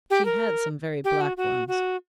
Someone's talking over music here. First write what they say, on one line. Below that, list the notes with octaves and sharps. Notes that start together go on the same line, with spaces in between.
She had some very black ones.
G4
A#4
G4
F#4
F#4
F#4